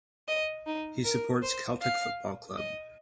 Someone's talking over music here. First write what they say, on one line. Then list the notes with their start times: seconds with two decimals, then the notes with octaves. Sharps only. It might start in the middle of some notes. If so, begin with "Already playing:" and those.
He supports Celtic Football Club.
0.28 D#5
0.66 D#4
1.04 A#4
1.42 C5
1.81 F5
2.57 D#5